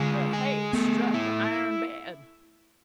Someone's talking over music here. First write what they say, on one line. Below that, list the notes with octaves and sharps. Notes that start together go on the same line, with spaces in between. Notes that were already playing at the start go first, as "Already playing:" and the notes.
Her head struck the iron bed.
Already playing: D3 G#3 F4
G#4
A3 B3
E4